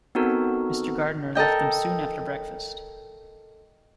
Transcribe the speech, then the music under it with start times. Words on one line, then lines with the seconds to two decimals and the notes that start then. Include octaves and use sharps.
Mr. Gardiner left them soon after breakfast.
0.15 B3 C4 D#4 F#4 A4 A#4
1.35 A4 A#4 D#5 G5